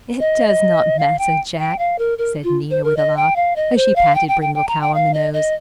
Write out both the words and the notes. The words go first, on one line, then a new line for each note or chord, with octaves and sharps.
"It does not matter, Jack," said Nina, with a laugh, as she patted Brindle Cow on the nose.
D#5
F5
G5
G5
F5
A#4
A#4
F4
C5
A#4
D#5
G5
F5
D#5
C5
F5
G5
G5
G5
G5
A#5
G5
F5
D#5
D#5